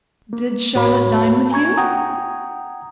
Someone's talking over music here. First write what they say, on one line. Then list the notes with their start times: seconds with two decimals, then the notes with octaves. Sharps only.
"Did Charlotte dine with you?"
0.33 A#3
0.75 A2 F#4 C#5 B5
1.52 G#5 A#5 C#6 G#6
1.78 F#5 G5 A#5 D#6